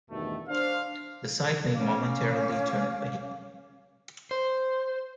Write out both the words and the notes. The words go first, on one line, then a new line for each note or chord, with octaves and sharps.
The site may momentarily turn pale.
E2 G2 B2 D#3 A3
D4 C5 F5
C#4 F5 D6
C5